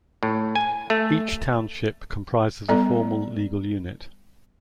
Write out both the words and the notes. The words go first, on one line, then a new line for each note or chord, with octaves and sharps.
Each township comprises a formal legal unit.
A2
G#5
A3
G3 B3 A4 D5 A#5